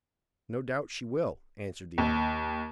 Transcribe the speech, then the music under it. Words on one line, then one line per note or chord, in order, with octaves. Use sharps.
"No doubt she will," answered the other.
D#2